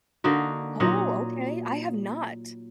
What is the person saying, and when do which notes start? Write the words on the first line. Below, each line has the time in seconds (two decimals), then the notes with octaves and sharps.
Oh, okay. I have not.
0.24 D3 A#3 D#4 F#4
0.80 A#2 F#3 D#4 F#5